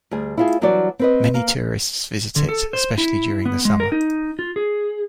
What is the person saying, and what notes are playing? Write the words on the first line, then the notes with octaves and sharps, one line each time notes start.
Many tourists visit it, especially during the summer.
D2 G3 G#4
E4 F4 G#4
E3 F#3 G3 D4 F#4 D5
C4 B4 D#5
A#3
D3
A4
C5
E4
B3
G#3
A#4
D#4
F4
G#4